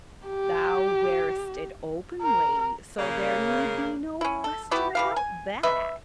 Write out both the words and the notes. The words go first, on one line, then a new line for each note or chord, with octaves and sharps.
Thou wearest it openly, so there need be no question about that.
G4
A#4
C#3 A#3
C#4 E4
A4
B3 E4 F#4 G4
E3 G3 F5
G#5
B4 D#5 E5